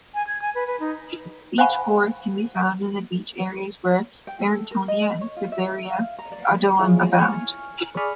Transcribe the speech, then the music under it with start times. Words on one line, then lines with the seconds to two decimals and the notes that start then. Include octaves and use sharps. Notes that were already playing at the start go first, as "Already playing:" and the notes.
Beach forest can be found in beach areas where Barringtonia and Cerbera odollam abound.
0.14 G#5
0.27 G#6
0.42 G#5
0.55 B4
0.67 B4
0.80 D#4
1.58 C5 F5 F#5 G#5 B5 C#6
4.27 G5
4.41 A4
4.71 A#4
4.88 D#5
5.21 C#5
5.37 F4
5.52 E5
5.90 F5
6.18 A#5
6.32 D5
6.79 E4 F4 G#4 C#5
7.18 G#5 C#6 F6
7.97 G#4 D5 B5 C#6 D#6 F6